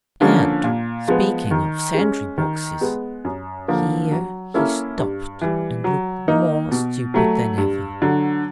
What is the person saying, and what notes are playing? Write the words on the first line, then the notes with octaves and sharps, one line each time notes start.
"And, speaking of sentry-boxes"--here he stopped and looked more stupid than ever.
D3 F3 A#3 C#4
A#2
F3 G#3 B3
D#3
G#3 C#4
D#3
G#3 B3
F#2
D3 F3 A#3
F#3
A#3 C#4 E4 A4
G2
E3 G3
F#3
A#3 D#4
B2
F#3 A3
G2
D3 F#3